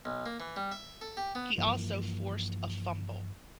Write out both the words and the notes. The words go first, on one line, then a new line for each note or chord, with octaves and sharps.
He also forced a fumble.
B1
A#3
E3
G3
E5
A4
G4
B3
G2 E3 F3 A#3